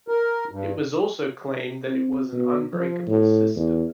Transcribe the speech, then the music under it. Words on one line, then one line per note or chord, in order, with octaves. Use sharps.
It was also claimed that it was an unbreakable system.
A#4
G2
C4
B2
F3
A2
E2